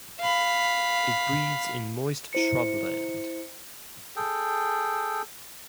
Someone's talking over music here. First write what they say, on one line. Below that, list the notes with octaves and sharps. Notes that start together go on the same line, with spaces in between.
It breeds in moist shrubland.
F5 B5
E4 C5 C#7
G#4 A4 G5